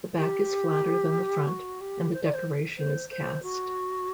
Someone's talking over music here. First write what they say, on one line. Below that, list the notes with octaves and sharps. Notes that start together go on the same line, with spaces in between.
The back is flatter than the front, and the decoration is cast.
G4
F#4
G4
C5
D5
C5
C5
C5
F#4